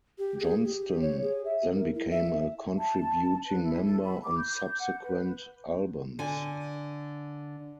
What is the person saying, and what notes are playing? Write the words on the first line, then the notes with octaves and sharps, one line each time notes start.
Johnston then became a contributing member on subsequent albums.
G4
G#4
G4
C#5
G#4
E5
A#4
E4
E5
A5
B4
E4
A4
B5
D6
G6
F#5
B4
D3 G#5